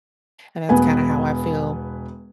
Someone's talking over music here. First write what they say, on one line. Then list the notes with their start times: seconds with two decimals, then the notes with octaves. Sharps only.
and that's kinda how I feel,
0.69 E1 B3 B4 G#5